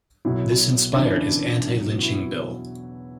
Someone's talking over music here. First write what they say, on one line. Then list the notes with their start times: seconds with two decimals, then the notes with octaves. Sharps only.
This inspired his anti-lynching bill.
0.25 B1 B2 F#3 E4
0.95 E2 C#3 E3 D4
1.07 E4
1.67 E2 B2 F#3
1.98 F#4
2.03 E4